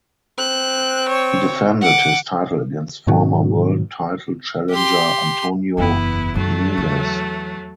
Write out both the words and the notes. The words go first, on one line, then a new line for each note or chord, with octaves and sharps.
He defended his title against former world title challenger Antonio Nieves.
C4 F#6
C#5
F#5 D6
G#2 B2 D#3 F#3
G4 C6
F#1 E2 B3 E4
F#2 D#3 F#3 A3
E2